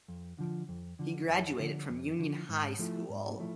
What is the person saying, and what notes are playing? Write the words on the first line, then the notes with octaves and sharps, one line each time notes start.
He graduated from Union High School.
F2
D3 F3
F2
D3 F3
F2
D3 F3
F2
D3 F3
G#2
F3 A3 E4
G#2
F3 A3 E4